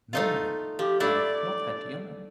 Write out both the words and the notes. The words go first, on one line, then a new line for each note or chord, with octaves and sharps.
"No, madam, I have not had the honor."
A3 D#4 F4
F3 G4
A3 D4 E4 D5